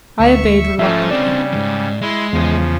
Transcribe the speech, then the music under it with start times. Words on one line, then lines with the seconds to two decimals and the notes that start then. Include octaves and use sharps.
I obeyed reluctantly.
0.20 D2 E5 C#6
0.79 G#2 F3 A3 C#4 E5
1.11 C#3 G3 C4 D4 D5
1.52 F2 G#2
2.02 G#3 E4 C6
2.33 E2 C#3 F3